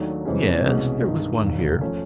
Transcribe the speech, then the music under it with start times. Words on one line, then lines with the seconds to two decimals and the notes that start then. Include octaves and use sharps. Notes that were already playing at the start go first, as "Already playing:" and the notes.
"Yes, there was one here."
Already playing: D#2 D#3 F#3 A3 D4
0.25 F2 C3 E3 G#3 C#4
0.65 C2 B2 G#3 C#4
1.04 G2 D#3 G#3
1.42 E1 D#2 D#3
1.81 F3 A3 C#4